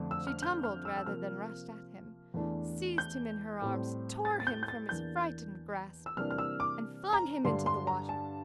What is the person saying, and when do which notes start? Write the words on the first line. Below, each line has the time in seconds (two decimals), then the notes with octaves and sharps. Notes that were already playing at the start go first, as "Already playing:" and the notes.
She tumbled rather than rushed at him, seized him in her arms, tore him from his frightened grasp, and flung him into the water.
Already playing: F2 D3 A3 D4
0.11 E6
0.27 F6
0.43 G6
0.63 F6
0.85 E6
0.97 E6
1.06 C3 F3 A#3 F6
2.34 E2 E3 A3 D4
2.98 G6
3.62 A2 G3 C4
4.25 A6
4.40 A6
4.47 G6
4.63 G6
4.68 A6
4.89 E2 E3 A#3 D4 G6
6.06 E6
6.17 C3 E3 G3 A#3 D4 F6
6.31 F6
6.38 E6
6.60 D6
7.13 A#5
7.44 G2 D3 G3 D4 C6
7.66 C6
7.87 A#5
8.09 A5